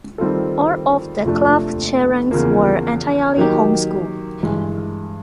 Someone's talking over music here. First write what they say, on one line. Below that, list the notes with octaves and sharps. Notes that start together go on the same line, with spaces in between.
All of the Clerke children were entirely home schooled.
D#3 G3 C4 F4 A4
F2 C3 F3 A3 D4
E2 C#3 F3 A#3
D#3 F#3 A#3 D#4 G4
G2 E3 G#3